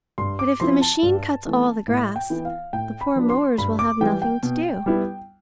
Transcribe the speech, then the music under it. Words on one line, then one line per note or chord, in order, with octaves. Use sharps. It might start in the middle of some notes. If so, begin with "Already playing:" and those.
But if the machine cuts all the grass, the poor mowers will have nothing to do.
G2 C6
D6
F3 C4 E4 C6
A5
G2
E3 A3 C4
A2
G5
E3 B3 E4
F5
A2 G5
B5
F3 B3 D4
C6
G2 B5
D6
E3 G3 G5
G5
B2
G3 B3 E4